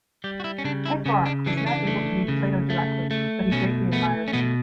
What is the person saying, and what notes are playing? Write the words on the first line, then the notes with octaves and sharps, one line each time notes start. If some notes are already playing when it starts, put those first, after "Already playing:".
Petrarch was not able to read Plato directly, but he greatly admired him.
G3 G4
F#4
E4
C#4
C#3 D4
E4
C#3 C#4
D4
E3 D4
C#4
D4
A3
C#3
A3
A3
B2 C#4
A3 B3
C#4
B2 B3